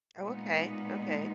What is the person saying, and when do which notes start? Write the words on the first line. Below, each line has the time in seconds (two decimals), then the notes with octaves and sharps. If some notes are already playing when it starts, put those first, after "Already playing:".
Oh, okay, okay.
0.19 A#2 G#3 B3 D#4